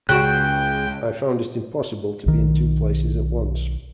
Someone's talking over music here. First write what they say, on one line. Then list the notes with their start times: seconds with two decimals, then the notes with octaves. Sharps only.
I found it impossible to be in two places at once.
0.09 C#2 C#3 F#4 G5 F#6
2.26 B1 D#3